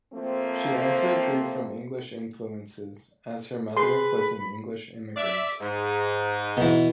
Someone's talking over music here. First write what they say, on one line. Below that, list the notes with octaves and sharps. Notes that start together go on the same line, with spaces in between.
She also drew from English influences, as her mother was an English immigrant.
F3 A3 A#3 C4
G#4 B4 B5 C6
D5 E5
G#2 D#4
B2 E3